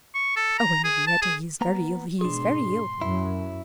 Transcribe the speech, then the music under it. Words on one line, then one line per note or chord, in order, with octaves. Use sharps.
Oh, Henrietta! he is very ill--he is very ill!
C#6
A4
A#5
G#4
A5
G#4
A#3 B3 A#5
G#2 B2 D4 G#4 C6
F#2 F#3 E4